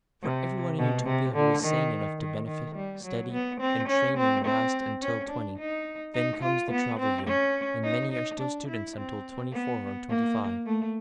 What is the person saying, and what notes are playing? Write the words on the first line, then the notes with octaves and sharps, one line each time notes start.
For everyone in Utopia who is sane enough to benefit, study and training last until twenty; then comes the travel year, and many are still students until twenty-four or twenty-five.
C3
B2
C3
D3
D#3
D#3
D#3
G3
F#3
B3
C4
C#4
C4
C4
C#4
D4
D#4
D#4
F4
B3
C4
C#4
D#4
D#4
D4
E4
C4
B3
A#3
A3